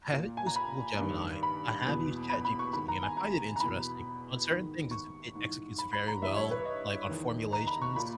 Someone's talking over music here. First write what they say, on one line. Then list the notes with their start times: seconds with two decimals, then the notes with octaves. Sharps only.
I haven't used Google Gemini, I have used ChatGPT, and I find it interesting, on certain things it's it executes very well, like on formulations,
0.12 A#2
0.37 G#5
0.47 A#5
0.56 B5
0.99 G2 D#3
1.43 B5
1.86 E2 B2
2.30 B5
2.45 B5
2.59 C#6
2.73 G#2 D#3 B5
2.88 A#5
3.03 G#5
3.17 A#5
3.56 A#5
3.60 E2 B2 B5
4.48 G#2 D#3
4.91 C#6
5.35 G#2 E3
5.78 B5
5.93 B5
6.07 A#5
6.22 G2 E3 E5
6.36 C#5
6.51 B4
6.65 D#5
7.09 E2 D#3
7.53 A#5
7.67 B5
7.82 C#6
7.96 A#2 B5